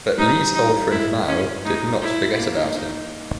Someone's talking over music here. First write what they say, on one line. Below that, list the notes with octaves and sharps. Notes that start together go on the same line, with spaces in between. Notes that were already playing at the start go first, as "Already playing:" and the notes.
But Li's old friend Mao did not forget about him.
G3 D#4
D#4
G#3 E4
C#4
G#3 D#4
E4
A#3
D#4
D#4